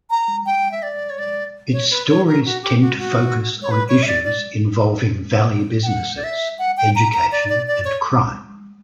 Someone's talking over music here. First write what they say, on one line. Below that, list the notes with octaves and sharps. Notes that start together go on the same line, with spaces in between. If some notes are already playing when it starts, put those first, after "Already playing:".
Its stories tend to focus on issues involving valley businesses, education, and crime.
A#5
G5
E5
D5
C#5
D5
C#5
B4
C#5
A#4
F#4
G4
F#4
F#4
C#5
B4
C#5
E5
D5
D5
G5
F#5
D5
E5
F#5
G5
A#5
A#5
D5
D5
D5
C#5